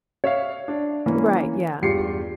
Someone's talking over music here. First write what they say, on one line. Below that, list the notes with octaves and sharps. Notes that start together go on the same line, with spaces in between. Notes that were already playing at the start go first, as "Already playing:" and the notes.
Right. Yeah.
C#5 E5 F5
D4
E3 A#3 C#4
E2 G2 F4 G4 C7 C#7